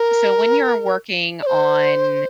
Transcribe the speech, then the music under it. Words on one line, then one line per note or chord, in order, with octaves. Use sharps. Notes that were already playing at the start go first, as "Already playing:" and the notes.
so, when you're working on
Already playing: A#4
D5
C5